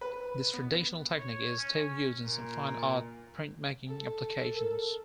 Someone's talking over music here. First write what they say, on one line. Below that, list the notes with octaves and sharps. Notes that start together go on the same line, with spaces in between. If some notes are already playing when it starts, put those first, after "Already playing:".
This traditional technique is still used in some fine art printmaking applications.
B4
B3
C#5
C#4
A#2
A4
A#4